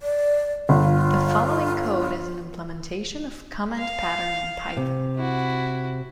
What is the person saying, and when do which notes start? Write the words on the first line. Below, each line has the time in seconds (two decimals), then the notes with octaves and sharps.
The following code is an implementation of Command pattern in Python.
0.02 D5
0.69 G1 F4
3.78 F5
4.77 C3
5.17 E4 F#4